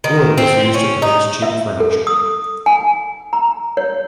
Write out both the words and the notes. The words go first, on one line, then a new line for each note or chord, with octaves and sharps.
Wood is used to produce cheap furniture.
D#3
C4
C#4
D#4
E5
A4
D#6
G#5
A#5
C#5